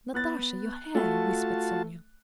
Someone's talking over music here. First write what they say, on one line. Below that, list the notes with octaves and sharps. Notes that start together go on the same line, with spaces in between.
"Natasha, your hair!..." whispered Sonya.
B3 F#6 A6
A3 F4 F#4 A5